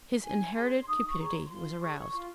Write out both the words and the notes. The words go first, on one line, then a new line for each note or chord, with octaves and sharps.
His inherited cupidity was aroused.
D#4 G#5
G#4 C#5 C6
D#4 D#6
C#6
G#4 C#5 A#5
C6
F4 C6
G#4 C#5 C#6
F4 C6